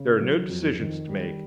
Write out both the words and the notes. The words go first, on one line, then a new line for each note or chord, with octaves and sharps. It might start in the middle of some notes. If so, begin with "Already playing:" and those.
There are no decisions to make.
Already playing: C#3
F#3
F2
D#3
G3